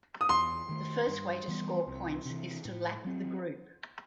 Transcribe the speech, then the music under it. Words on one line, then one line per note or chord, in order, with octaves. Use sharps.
The first way to score points is to lap the group.
D#6
E2 C6
D#3 A3
G2
E3 G3 B3
C2
C3 E3
A2
F#3 C4